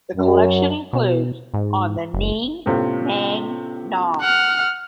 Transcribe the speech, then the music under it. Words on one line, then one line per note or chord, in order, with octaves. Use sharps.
The collection includes "On the Ning Nang Nong".
F#2
B2
G#2
F#1
A2 C3 B3 C#4 F4
F#5 F6